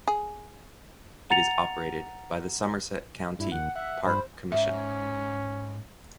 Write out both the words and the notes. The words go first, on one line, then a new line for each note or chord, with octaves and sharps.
It is operated by the Somerset County Park Commission.
G#4
F#5 A#5 A6 C#7 F7
G2 E4
D#2 F#5
E5 F#5
G2 C5 B5
G#2 C#4 E5